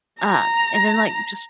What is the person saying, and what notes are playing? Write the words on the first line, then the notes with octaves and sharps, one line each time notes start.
Uh, and then, like, just
A#5